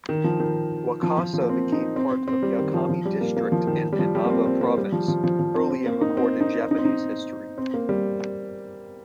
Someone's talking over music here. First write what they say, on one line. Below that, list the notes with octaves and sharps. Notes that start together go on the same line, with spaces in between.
Wakasa became part of Yakami District in Inaba Province early in recorded Japanese history.
D#3
F3
D#3
F3
F3
F3
A#3
C4
D#4
C4
C4
C4
G3
D#3
F3
F3
G3
A#3
A#3
F3
D#3
G3
F3
G3
A#3
C4
C4
A#3
G3
F3
F3
F3
F3
C4
C4
A#3
D#4
C4
D#4
D#4
C4
D#4
C4
A#3
G3